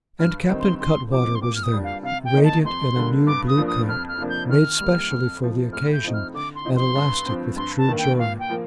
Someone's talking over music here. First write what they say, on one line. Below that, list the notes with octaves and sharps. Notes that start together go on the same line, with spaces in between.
And Captain Cuttwater was there, radiant in a new blue coat, made specially for the occasion, and elastic with true joy.
G2 F6
D#3 G3 C4 D#4
C6
D3 C6
F3 C4 D#4 D6
C6
A#2 D6
F6
D#6
G3 D4
F5
C3 F5
G5
D#3 A#3 D#4
A5
F2 C6
D3 G3 A#3
G2 D6
D#6
F3 A#3 D4
D#6
F2 F6
F6
C3 F3 A#3 D4
G6
D#3 F6
G3 A#3
F2
C3 F3
A2 F6
G6
F3 C4 D#4
F6
D3 D6
C6
F3 C4 D#4
C6
G2
F3 C4
G2 C6
A5
D#3 A#3
G5
A#2 F5
G5
F3 A#3